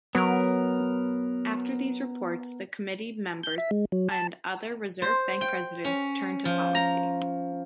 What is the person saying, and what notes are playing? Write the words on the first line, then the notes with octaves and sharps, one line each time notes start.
After these reports, the Committee members and other Reserve Bank presidents turn to policy.
F#3 B3 A#4
G6
E5
G#3
F#3
A5
C5
G5
C#4
F3
A#5